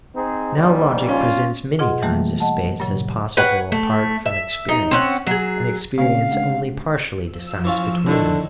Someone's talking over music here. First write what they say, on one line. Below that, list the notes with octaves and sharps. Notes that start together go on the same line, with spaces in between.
Now, logic presents many kinds of space as possible apart from experience, and experience only partially decides between them.
C4 D#4 G#4
A#1 G#2 G3
C#4 F4
B2 F4 G#4 D#5 F#5 C6
E3 G3 A3 A#3
D#5 F#5 A5
G2 A#2 C#3 F#3
B4 C#5 F#5 G5
A3
E5
D#4
C4 C#4 F#5
F#3 G#4
C#3 A3 C4 C#4 F5
G#3 D4 F#5
F3 E6
E3 C#4 F4
A2 D3 D#3